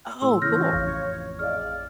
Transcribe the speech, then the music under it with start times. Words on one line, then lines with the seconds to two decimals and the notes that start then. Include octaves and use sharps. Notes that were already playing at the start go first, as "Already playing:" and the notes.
Oh, cool.
0.22 A2 C6 E6
0.42 C#3 E3 C#5 F6 G6 A#6
0.72 A1 F2 F5
1.39 G#4 D5 D#5 F5 F6